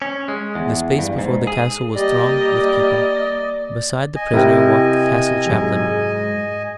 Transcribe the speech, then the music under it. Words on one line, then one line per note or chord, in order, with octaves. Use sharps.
The space before the castle was thronged with people. Beside the prisoner walked the castle chaplain.
C#4
G#3
E2
G2
G#2
G#4
G3 A#3 D5 D#5
D#5 G#5
C3 E4 A#4 G5
G#2 F#3 G#3